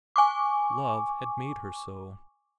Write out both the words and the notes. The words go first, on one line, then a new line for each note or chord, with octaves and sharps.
Love had made her so.
G#5 C#6 D6